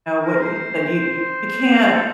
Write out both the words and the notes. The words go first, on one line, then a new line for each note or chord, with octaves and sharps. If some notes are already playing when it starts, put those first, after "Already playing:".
Know what you do you you can't
A#4
C5
C5
A4